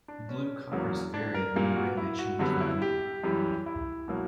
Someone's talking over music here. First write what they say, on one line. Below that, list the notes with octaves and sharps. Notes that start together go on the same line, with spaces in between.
Blue cars vary in the way they change their lane.
D4
C#4
E2 C#3 F#3 A#3
D4
A#4
A#2 G3 A#3
F#4
E4
F#4
F#2 D3 G3 B3 F#4
E4
G4
F#2 E3 G3
E4
B2 F#3 A#3